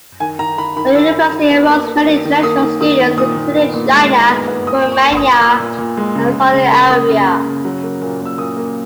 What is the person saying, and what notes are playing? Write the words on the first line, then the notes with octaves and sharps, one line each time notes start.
The university enrolls many international students, including China, Romania, and Saudi Arabia.
D#3 G#5
D#3 A#5
D#3 B5
D#3 B5
D#3 E6
D#3
D#3
B3
A#3
A#3
D#3
D#3
A#3 D#6
D#3
D#3 D#6
D#3
A#2 D#6
A#2
B3
A#2
G#3
A#2
B3
B3
A#2 D#6
A#2
C#6
B3
D#6
A#2
A#2 E6
A#2
A#2
G#3
C#3
C#3
C#3
A#3
A#3 D#6
C#3
C#3
C#3
F#3
A#3
A#2
A#2
E6
A#2 D#6
A#3